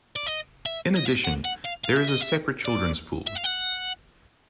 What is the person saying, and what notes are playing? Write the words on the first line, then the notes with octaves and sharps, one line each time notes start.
In addition, there is a separate children's pool.
D5
D#5
E5
D#5
E5
F#5
F#5
F5
F5
E5
D#5
E5
D5
E5
F5
F#5